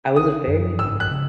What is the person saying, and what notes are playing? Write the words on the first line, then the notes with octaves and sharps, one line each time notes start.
I was a very,
D#6
F#2
G#2 E6
F#6
C#3